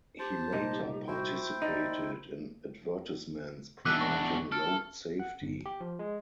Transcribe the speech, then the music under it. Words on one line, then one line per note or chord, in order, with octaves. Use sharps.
He later participated in advertisements promoting road safety.
G4 C5 A5
C2 A#2 D#4
E4 F#4 C5 G5
D#4 D5
E2 D4 D6 E6 F#6
C#6
A4 F6
F#5
G1
G4
F3
G#3